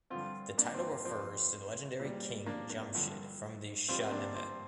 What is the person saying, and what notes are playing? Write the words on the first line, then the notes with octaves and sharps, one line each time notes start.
The title refers to the legendary king Jamshid from the Shahnameh.
G2 D3 F3 C4 F4
A#3 D4
C4
F2 F3 C4
A#2 G3
A#3 D4
A#3 D4
G2 D3 F3
G2 G3 C4 F4
C4
A#3 D4
C4